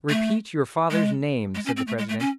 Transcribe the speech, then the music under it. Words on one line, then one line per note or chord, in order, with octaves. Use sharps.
"Repeat your father's name," said the president.
A3
G#3
G#3
C#4
C4
A3
G#3
A3
C#4